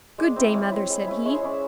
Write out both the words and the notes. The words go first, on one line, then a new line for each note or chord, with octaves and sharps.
'Good day, mother,' said he.
G#3 D5
C4 E4
D5
G#3 C#5
C4 E4
G#3
C#4 E4
G#3 C#5
C5
C#4 E4 D5
E5